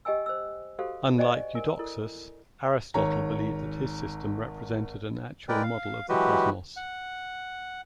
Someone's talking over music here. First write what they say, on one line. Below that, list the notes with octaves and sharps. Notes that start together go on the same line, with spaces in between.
Unlike Eudoxus, Aristotle believed that his system represented an actual model of the cosmos.
G4 D#5 G5 G#5 E6
C5 E6
F#4 G4 A4 C5 F5
C5 D5 D#5 G5 G#5 C#6
A#4 G#5
E4 A4 A#4
G#1 C#5 A#5
G#3 A#4 B4 D5 G5
F5
E3 F#3 G#3 F#4 G4 B4
F#5